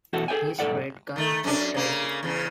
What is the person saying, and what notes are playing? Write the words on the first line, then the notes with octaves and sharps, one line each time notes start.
He's a great guy, just terrific.
E2 B2 F#4 A4
G#4 A4 D#5 G5 G#5
B1 G#2 B2 A4 D5 F#5
D#3 A3
F#2 C#4 D4
C#3 A#3
E2 C#3